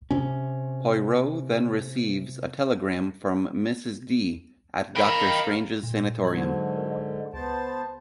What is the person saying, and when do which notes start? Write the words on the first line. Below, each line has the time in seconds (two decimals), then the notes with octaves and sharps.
Poirot then receives a telegram from "Mrs D" at Doctor Strange's sanatorium.
0.11 C3 C#4
4.96 A#4 D#5 F5 G5 B5
5.83 A#2
6.24 G#2 D3 F#3 G#6
7.33 C#2 B3 C5 A5